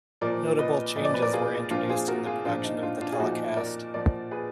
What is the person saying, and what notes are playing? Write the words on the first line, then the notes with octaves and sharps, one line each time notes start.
Notable changes were introduced in the production of the telecast.
A#2 F3 A#4 D5
B4 D#5
A#2 F3 D5 D#5
B4
A#4 D5
F4 G#4
A#2 F3 D4 F4
F4 G#4
F#4 A#4
F4 G#4
A#2 F3 D4 F4
D#4
D4 F4
D4 F4
G#4
A#2 F3 D#4 F#4
A#4 D5
A#2 F3 A#4 D5
G#4 B4